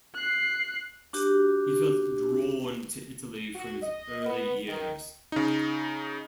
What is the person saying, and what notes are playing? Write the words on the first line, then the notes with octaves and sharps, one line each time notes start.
He felt drawn to Italy from his early years.
F#6 C7
D4 F#4 G4
F#4
D#5
B3
D#3
C#3 D#4